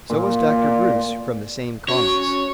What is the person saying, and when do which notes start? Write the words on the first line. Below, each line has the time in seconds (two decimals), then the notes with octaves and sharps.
So was Dr. Bruce from the same cause.
0.10 A#2
0.49 D5
1.88 C#4 F#4 C#5